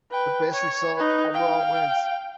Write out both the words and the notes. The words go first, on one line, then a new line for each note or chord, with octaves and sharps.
The best result overall wins.
B4 G5
C#5
D#4 B4
F5 G5